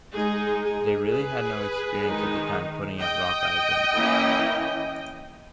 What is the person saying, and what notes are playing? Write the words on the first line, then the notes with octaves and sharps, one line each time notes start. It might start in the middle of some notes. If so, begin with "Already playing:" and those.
They really had no experience at the time putting out rock albums.
G#3 D#4 G#4
G#4
G#4 B4
D#3 G#3 D#4
D#5 G5
E3 A#3 C#4 E4